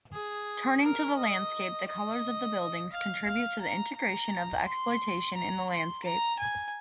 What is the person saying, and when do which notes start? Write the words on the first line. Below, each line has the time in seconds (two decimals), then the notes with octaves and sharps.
Turning to the landscape, the colors of the buildings contribute to the integration of the exploitation in the landscape.
0.13 G#4
0.82 A#4
1.18 D#5
1.88 D#5
2.92 F5
3.26 F5
3.61 A#5
3.96 A#5
4.66 C6
5.35 A#5
5.69 C6
6.04 A#5
6.39 G#5